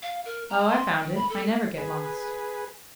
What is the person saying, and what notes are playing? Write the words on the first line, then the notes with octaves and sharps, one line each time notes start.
"Oh, I found it, I never get lost."
F5
A#4
A#5
C6
G5
B5
A4
G#4 B4